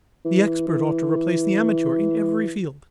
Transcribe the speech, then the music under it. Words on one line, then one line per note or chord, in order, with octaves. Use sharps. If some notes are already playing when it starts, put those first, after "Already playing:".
The expert ought to replace the amateur in every field.
E3
E3